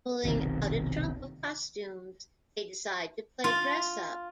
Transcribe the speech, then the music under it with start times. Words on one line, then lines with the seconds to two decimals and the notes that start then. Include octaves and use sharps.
Pulling out a trunk of costumes, they decide to play dress up.
0.24 F1 B1 C3 D#3
3.44 F4